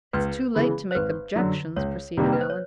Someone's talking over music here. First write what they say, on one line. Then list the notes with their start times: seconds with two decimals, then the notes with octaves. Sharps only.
"It's too late to make objections," proceeded Allan.
0.13 C#2 B4
0.55 C#3 E3 G#3 B3
0.91 C5
0.95 G#1 B4
1.36 F#2 D3 F#3
1.76 C#2 C#5
2.17 C3 D#3 G3 A#3
2.33 B4
2.41 C5
2.50 C#5